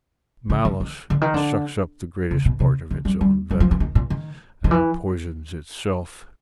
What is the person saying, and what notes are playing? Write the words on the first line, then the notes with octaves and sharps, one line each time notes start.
Malice sucks up the greatest part of its own venom, and poisons itself.
D3
D#3
D#3
D3
D#3
D3
C#3
B2
C3
D3
G3
G3
F#3
F3
E3
D#3
A#2
D#3
D#3
E3